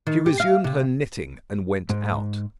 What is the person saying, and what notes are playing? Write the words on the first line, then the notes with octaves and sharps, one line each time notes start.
She resumed her knitting and went out.
D#3
G4
F5
C3
G#2